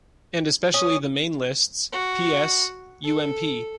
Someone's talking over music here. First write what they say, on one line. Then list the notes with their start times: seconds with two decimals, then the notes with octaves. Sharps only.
And especially the main lists: PS, UMP.
0.74 C#4 D#6
1.92 F#4
3.04 A4